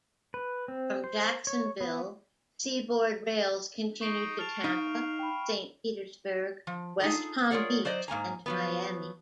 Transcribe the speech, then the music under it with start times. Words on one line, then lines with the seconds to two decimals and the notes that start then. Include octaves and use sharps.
From Jacksonville, Seaboard rails continued to Tampa, Saint Petersburg, West Palm Beach and Miami.
0.34 B4
0.68 C4
1.04 C5
1.47 C#5
1.81 B3
4.01 D#4 C#6 C7 D7
4.39 A5 F6 F7
4.64 D#4 F5
5.19 G5 B5
6.67 F3
7.00 D#4 F4 G#4 A4
7.51 F4 G#4 A#4 C#5 D5 F#5
7.85 F#3 C5 D5 D#5
8.08 G#2 A#3 G#5 A#5
8.46 F3 F#3 B3